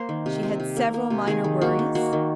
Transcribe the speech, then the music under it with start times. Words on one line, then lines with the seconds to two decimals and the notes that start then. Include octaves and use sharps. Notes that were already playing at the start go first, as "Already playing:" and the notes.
She had several minor worries.
Already playing: A#3 C5
0.09 D#3
0.26 C3
0.43 C3
0.60 C3
0.77 A#3
0.94 A#3
1.10 C3
1.28 D#3 G#4
1.44 D#3
1.61 A#3 F#4
1.79 D#3
1.95 A#3 F#4
2.13 D#3